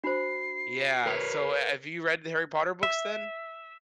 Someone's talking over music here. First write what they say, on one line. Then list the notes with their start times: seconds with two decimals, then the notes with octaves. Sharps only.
Yeah. So, ha have you read the Harry Potter books then?
0.04 D4 F#4 C5 B5 C7
1.06 A#4 B4 C#5
2.83 E5